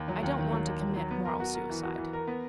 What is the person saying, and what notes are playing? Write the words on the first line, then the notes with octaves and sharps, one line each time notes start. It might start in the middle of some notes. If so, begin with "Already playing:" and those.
I don't want to commit moral suicide.
Already playing: D#2
F#3
D#2
D#3
F#3
D#2
F#3
F#3
B3
A#4
F#4
A#4
E3
F#4
E3
A#4
B3